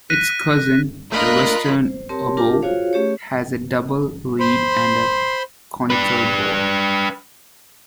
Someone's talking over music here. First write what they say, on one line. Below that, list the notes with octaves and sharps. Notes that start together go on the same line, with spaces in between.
Its cousin, the Western oboe, has a double reed and a conical bore.
F#6 A#6 B6 D#7
A3 A#3 D4 F4 A#4 D#5 B5 F#6
C5
C4 G4 A#4 C#5 A5 C6
D4 F4 G4 A#4 A5 D6
F4 F#4 G#4 C5 C#5 F5
A3 C#4 G4 G#4 C#5
C5 B5 C6
D4 B4